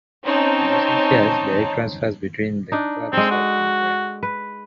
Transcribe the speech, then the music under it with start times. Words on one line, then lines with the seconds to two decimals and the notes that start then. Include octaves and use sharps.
In recent years, direct transfers between the clubs have been rare.
0.24 C4 C#4 D#4 C#5 A5
2.72 D4 D#4
3.13 G#3 C4 A4
3.31 F#4
4.23 B4